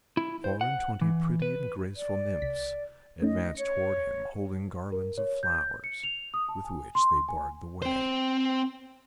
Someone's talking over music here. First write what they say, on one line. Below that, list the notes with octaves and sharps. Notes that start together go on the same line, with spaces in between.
Four-and-twenty pretty and graceful nymphs advanced toward him, holding garlands of flowers, with which they barred the way.
E4
C5
F#5
E3
B4
D5
C2 B6
A3 C#4 D#4 D#5
C#5 C#7
A#4
C#5
G6
C#7
F7
D#6
A5
G#5
C6
G#5
C4 C5